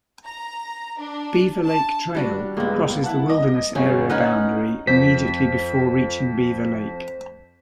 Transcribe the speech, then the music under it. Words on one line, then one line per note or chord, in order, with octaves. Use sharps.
Beaver Lake Trail crosses the wilderness area boundary immediately before reaching Beaver Lake.
A#5
D4
A5
G3 D4 F#4
C#2 A2 G#3 A#3 B3
E4 F#5 A5
D#5
G1 C#4 G#4
C#4 D#4 B4 F#5 F6
F2 C5 B6